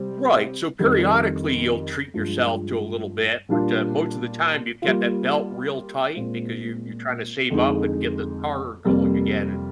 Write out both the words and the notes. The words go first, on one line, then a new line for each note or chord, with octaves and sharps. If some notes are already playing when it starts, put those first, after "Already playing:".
Right, so, periodically, you'll treat yourself to a little bit, but, uh, most of the time you've got that belt real tight because you you're trying to save up and get the car going again and
Already playing: C3 G3 C4 G4
F2 D#3 G3
G2 F3 G#3
A#2 G3 A#3 D4 F4
G3 A#3 F4
A#2 G#3 C4 F4
F2 D3 G#3 D#4 G#4
F2 C3 G3 A#3